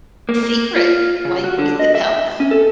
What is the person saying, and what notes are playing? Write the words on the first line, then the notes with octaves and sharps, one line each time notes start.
secret while you wait to tell them?
A#3
A#3
F4
C#3
F#4
D3
D#5
E5
C#4
A4